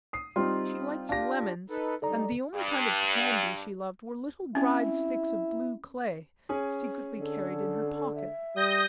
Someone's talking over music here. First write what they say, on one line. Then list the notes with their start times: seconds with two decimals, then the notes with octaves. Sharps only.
She liked lemons, and the only kind of candy she loved were little dried sticks of blue clay, secretly carried in her pocket.
0.13 D#6 C7
0.36 G3 C4 D#4 F4
1.09 D4 G4 F5 A#6
1.70 D#4 A4 B4
2.02 G2 D#4 A4 D5 A#5
2.54 G2
4.55 C4 C#4 E4
6.49 C#4 G#4
7.19 D3 A4
8.15 E5
8.56 G3 D#6 G6 A#6